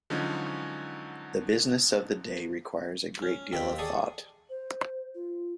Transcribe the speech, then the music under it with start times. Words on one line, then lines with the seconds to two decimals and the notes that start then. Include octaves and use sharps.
The business of the day requires a great deal of thought.
0.10 D3 F3 F#3 G#3 C#4 D#4
3.22 C#4
3.52 D#2 C4 G5 B5
3.78 G#4 A4 D5 C#6 D#6
4.49 C5
5.15 F4